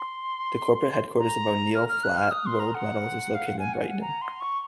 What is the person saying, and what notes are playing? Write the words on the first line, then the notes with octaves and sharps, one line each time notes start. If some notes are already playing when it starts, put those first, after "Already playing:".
The corporate headquarters of O'Neal Flat Rolled Metals is located in Brighton.
Already playing: C6
A#5
F6
F6
F#6
F6
D#6
C6
A#5
F#5
F5
F#5
G#5
F#5
F#5
A#5
C6
C#6